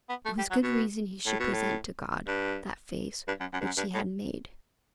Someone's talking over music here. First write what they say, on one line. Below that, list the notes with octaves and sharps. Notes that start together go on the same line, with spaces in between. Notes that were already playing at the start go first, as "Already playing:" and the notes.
It was good reason he should present to God that face which he had made.
B3
A3
G3
F#3
B2
A2
B2
A2
G2
G2
F#2
F#2
G2
F#2
G2
A2